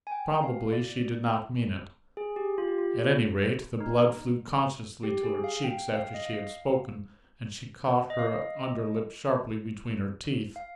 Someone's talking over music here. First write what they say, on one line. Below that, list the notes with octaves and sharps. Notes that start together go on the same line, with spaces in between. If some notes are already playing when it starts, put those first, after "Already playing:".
Probably she did not mean it; at any rate the blood flew consciously to her cheeks after she had spoken, and she caught her under lip sharply between her teeth.
G#5
G5
F5
D5
G#4
G4
F4
G4
F4
D#4
G4
G#4
F5
G5
F5
D#5
F5
D#5
F5
D#5
F5